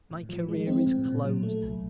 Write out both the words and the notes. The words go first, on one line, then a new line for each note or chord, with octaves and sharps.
My career is closed.
A2
F3
G#3
C4
A2
A#2
F#3
A3
C2